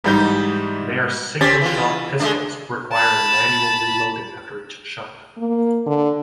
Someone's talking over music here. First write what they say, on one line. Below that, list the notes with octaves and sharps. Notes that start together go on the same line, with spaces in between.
They are single shot pistols, requiring manual reloading after each shot.
G#2 E3 G3 D#4 G6
C4 C#4 G4 A6 B6
E3 F4
G#3 A3 D4
A5 B5
A#3
D3